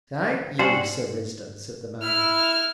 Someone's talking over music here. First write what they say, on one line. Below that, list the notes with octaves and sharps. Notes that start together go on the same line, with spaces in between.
"Thank ye, Sir Risdon," said the man.
G3 C4 C#4 C5 F#5
E4 F6